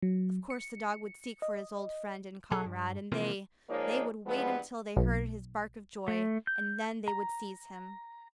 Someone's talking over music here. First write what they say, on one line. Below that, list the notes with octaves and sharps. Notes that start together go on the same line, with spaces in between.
Of course the dog would seek for his old friend and comrade, and they--they would wait until they heard his bark of joy, and then they would seize him.
F#3
C#7
D#5
B1 F#3 G#4 A4
G2
C3 E3 F3 A#3
F3 G#3 A#3 D#4 C#5 D5
E2 G2 F3 G#3 B3
B1
A3
G6
A#5